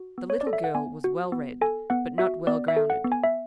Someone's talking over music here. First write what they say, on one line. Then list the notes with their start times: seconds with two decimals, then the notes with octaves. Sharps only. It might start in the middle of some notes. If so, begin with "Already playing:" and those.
The little girl was well-read, but not well-grounded.
Already playing: F#4
0.18 B3
0.30 C#5
0.41 D5
0.47 A4
0.53 E5
0.64 F#5
0.75 B3 G#5
1.04 F#4
1.32 B3
1.61 A4 G#5
1.90 B3 F#5
2.18 F#4 E5
2.47 B3 D5
2.68 E5
2.77 A4
2.90 F#5
3.04 B3
3.12 G#5
3.24 E5